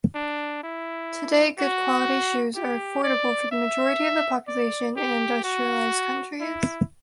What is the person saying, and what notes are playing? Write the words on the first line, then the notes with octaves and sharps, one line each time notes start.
Today good quality shoes are affordable for the majority of the population in industrialized countries.
D4
E4
F#4
G4
D5
E5
D5
G4
F#4
E4